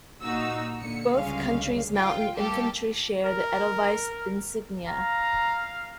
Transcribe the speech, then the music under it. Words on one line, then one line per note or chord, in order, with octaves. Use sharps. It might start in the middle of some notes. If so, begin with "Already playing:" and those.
Both countries' mountain infantry share the Edelweiss insignia.
A#2 D#4 F#4 E6
A#2 D3 C#7
C#2 D3 G3 G#3 C#4 F5
F4 G5
G3 A#3 G4 A4
A#4
F5 A#5